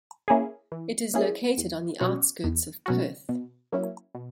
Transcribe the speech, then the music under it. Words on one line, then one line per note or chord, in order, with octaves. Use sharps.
It is located on the outskirts of Perth.
A#3 C#4 E4 G#4
E3
A#3 C#4 E4 G#4
E2
B2 F#3 C#4 F#4
E2
B2 F#3 C#4 F#4
B2
F#3 A#3 C#4 E4
B2